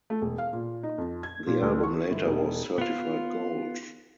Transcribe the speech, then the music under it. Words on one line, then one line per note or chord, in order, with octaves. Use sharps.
The album later was certified gold.
A3
E1
F5
A#2
D#4
F2
G#6
A#2
D2
C#6
G1
E1
B3 F4